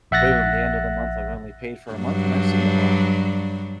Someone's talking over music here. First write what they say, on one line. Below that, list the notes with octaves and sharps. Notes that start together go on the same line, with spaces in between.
boom, the end of the month, I've only paid for a month and I've seen it all.
A#1 E5 F#5 F#6 A6 A#6
G2 F#3 D4